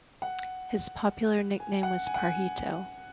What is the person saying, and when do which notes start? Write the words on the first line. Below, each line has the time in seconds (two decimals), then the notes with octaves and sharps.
His popular nickname was "Pajarito".
0.22 F#5
1.60 G#5
1.83 F#5
2.06 G#5
2.14 F#5
2.23 G#5